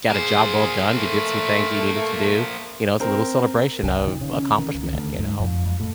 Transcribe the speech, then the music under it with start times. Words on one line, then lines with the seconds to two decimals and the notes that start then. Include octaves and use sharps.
got a job well done, you did some things you needed to do, you know, it's a little celebration of accomplishment, you know?
0.10 A#3 G#4 C5
0.97 A3
3.00 C4 A#4
3.83 C2
4.07 D#3
4.21 C#3
4.34 C#4
4.58 D#3
4.75 C#2
4.94 D2
5.19 G#2
5.40 F2
5.66 F2
5.80 A2